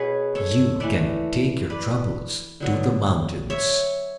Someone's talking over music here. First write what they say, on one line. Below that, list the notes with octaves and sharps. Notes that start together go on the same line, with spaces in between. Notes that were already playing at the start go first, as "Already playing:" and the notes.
You can take your troubles to the mountains.
Already playing: B2 G#4 B4 C#5
A4 C#5
E3 A3 B4 D5
B4 D5
D3 F#3 B3
C#5 E5